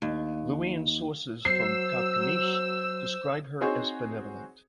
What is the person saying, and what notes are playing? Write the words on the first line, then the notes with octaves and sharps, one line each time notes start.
Luwian sources from Carchemish describe her as benevolent.
D#2
F#3 C5 E6 C7
C4 D#4 F#4 G#4 C5 C#5